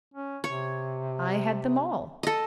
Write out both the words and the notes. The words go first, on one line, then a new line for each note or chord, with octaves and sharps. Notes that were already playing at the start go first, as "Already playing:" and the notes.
I had them all.
C#4
C3 C#5
A4 D#5